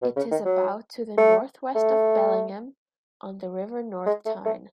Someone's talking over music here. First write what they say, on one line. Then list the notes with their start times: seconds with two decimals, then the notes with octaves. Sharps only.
It is about to the northwest of Bellingham, on the River North Tyne.
0.02 B2
0.16 C#3
0.31 D#3
0.45 F#3
1.17 A3
1.75 A3
4.06 G#3
4.26 A3
4.45 A3